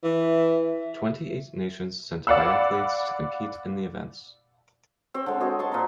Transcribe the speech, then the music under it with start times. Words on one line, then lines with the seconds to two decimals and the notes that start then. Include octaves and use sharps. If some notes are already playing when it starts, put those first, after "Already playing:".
Twenty-eight nations sent biathletes to compete in the events.
0.04 E3 E5
2.27 D5 F5 F#5 B5 E6
5.14 C4 C#5 G5
5.26 D3 G#3
5.40 F#4 G#4 C#5 D#5
5.59 A5 C6 C#6
5.72 A#2 C5 A#5